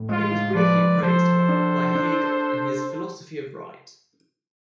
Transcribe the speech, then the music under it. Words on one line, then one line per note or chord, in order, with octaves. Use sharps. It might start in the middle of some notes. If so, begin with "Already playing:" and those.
It was briefly praised, however, by Hegel in his Philosophy of Right.
Already playing: A2
G#3 F4
F3 B4 D5
F3 A4 C5
D4
D4